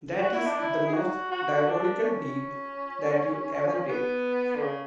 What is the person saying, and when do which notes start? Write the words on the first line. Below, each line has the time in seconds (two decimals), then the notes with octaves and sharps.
That is the most diabolical deed that ever you did.
0.21 F#4
0.34 E4
0.46 D4
0.59 E4
0.87 G#4
0.94 F#4
1.31 F#4
1.68 D4
2.04 C#4
3.82 C#4
3.89 B3
4.56 D3
4.62 C#3